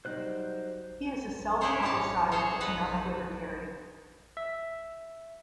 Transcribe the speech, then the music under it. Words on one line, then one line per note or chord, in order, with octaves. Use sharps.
He is a self-publicized economic libertarian.
F#3 G3 D#4 C5 F#6
C#4 D4 E4 G#4 C5 C#5
A2 D#4 C#5 A5
G#4 A4 C5 C#5
D#4 A4 B4 F5 F#5
E5